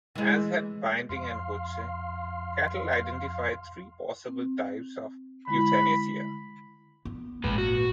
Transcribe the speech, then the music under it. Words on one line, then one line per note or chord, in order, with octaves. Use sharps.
As had Binding and Hoche, Catel identified three possible types of euthanasia.
E3 G#3
F2 F5 C6
C4
D3 G#3 E4 B5
B3
G#1 A#2 G#3 B4
F#4